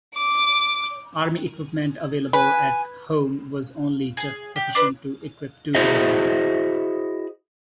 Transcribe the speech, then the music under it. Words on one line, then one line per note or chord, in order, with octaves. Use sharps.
Army equipment available at home was only just sufficient to equip two divisions.
D6
B4 G#5
G#4
G4
D4 B4 C5
E4 F#4 G#4 C5 D#5 E5